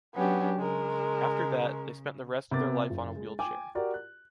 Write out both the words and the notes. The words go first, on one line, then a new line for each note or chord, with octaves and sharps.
After that, they spent the rest of their life on a wheelchair.
F#3 B3 C#4 D4 G4
C#3 G#3 A#4
C3 B3 A#4 D6 A6
F#1
G#3
G5 G#5 D6
F#4 G4 A#4 D5
F#6